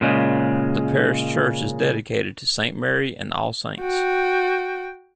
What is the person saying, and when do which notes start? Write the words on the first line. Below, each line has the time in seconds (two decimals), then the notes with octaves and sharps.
The parish church is dedicated to St Mary and All Saints.
0.01 A#2 C#3 G#3
3.81 F#4 G5